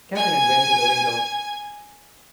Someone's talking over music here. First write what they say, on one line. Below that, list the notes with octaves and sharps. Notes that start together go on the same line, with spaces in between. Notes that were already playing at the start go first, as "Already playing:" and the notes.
Catherine went to the window.
G#5 G#6